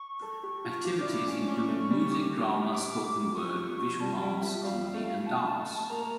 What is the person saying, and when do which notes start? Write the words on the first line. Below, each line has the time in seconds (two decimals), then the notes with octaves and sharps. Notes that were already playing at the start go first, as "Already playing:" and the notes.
Activities include music, drama, spoken word, visual arts, comedy and dance.
Already playing: C#6
0.22 A4
0.43 G4
0.64 F4
0.85 F4 D6
1.01 D4
1.06 E4
1.27 C#4
1.48 C#4 C#6
1.68 A3
1.90 G3
2.11 D6
2.74 D6
3.37 F3 C#6
4.00 G3 A5
4.21 G3 G5
4.42 F3 E5
4.63 G3 F5
4.94 A3
5.26 A5
5.89 A#3 A#5
6.01 A#3